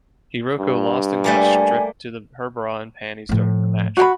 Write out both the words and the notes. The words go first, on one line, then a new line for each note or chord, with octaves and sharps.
Hiroko lost and got stripped to her bra and panties during the match.
G2
G3 A3 A#3 G#5
A2 F3
F#4 G5 B5